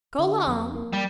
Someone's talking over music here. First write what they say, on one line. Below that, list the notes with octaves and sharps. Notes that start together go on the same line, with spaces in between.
Go 'long.
D3
F2
A#3
G3